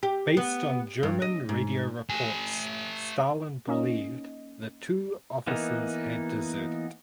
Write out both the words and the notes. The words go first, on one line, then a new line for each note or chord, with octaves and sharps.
Based on German radio reports Stalin believed the two officers had deserted.
G4
B3
G2
D#5
G#2
A3 G#5
A#3 C#4 D#4 D#5
E3 A#3 B3 D#4